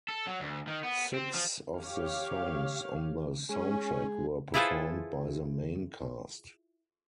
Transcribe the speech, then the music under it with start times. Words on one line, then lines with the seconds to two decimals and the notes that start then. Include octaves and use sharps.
Six of the songs on the soundtrack were performed by the main cast.
0.09 A4
0.27 F#3
0.40 D2
0.67 D#3
0.83 B3
1.13 C4
1.34 F3
1.78 G4 C#5 F5
3.49 G#3 C#4 G#4
4.54 E4 F4 G#4 A4 B4 C5